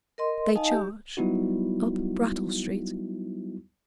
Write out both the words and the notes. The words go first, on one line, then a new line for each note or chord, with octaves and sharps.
They charge Up Brattle Street.
A#4 D#5 C6
D#4 D#5 F5 G#5 A5
G4
F#3 G3 B3 D#4 E4 F#4